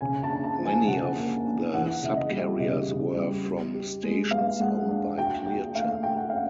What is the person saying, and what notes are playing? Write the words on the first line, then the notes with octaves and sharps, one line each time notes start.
Many of the subcarriers were from stations owned by Clear Channel.
C#3 G#5
A5
D4
A5
F3
G#5
C#3 F#5
A#3
D4
E3 F#5
C#3 E5
D#5
G3
C#3 D#5
C#3
G3
G4
G4
G#3
B3 F5
G#3 F#5
D4
F#4 G5
F#4 G5
A3 F5
A3 G5
F#5
C#4 F5